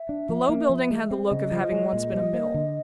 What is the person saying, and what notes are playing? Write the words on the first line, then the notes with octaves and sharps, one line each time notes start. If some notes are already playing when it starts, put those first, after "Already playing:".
The low building had the look of having once been a mill.
Already playing: E5
D4
F3
A#3
F3
G#3
C4
D5
C#3 D#5
F3
D#5
G#3
A#2
G3
A#3
D3